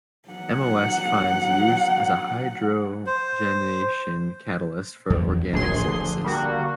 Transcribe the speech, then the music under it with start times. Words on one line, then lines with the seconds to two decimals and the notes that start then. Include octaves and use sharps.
MoS finds use as a hydrogenation catalyst for organic synthesis.
0.29 F#3 F#5
3.06 C5
5.10 E2
5.53 D1 A#1 F#3 G#4 C6
5.88 D3
6.25 G3 A#3 F#4